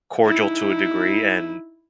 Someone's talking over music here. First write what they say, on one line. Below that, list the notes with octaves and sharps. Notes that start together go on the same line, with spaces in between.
cordial to a degree and
D#4 E4